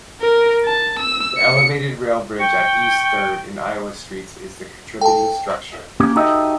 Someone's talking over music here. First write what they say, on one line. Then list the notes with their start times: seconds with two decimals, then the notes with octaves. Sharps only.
The elevated rail bridge at East Third and Iowa Streets is the contributing structure.
0.21 A#4
0.65 A5
0.99 E6
1.37 C#7
2.40 G5 C#6
5.01 A4 G5 A5
6.00 A#3 C#4 G4
6.16 D#4 F#4 G4 A4 D#5 E5